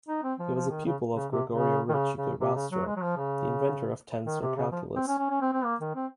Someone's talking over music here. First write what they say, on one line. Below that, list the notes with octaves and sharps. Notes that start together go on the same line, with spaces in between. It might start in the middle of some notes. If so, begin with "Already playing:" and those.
He was a pupil of Gregorio Ricci-Curbastro, the inventor of tensor calculus.
D#4
C4
F3
F3
D#3
C#3
C#3
C3
C#3
D#3
C#3
C#3
C3
C#3
F#3
G#3
F#3
F3
C#3
D#3
C3
C#3
F3
C4
C#4
C#4
C#4
C4
C4
A#3
D#3
C4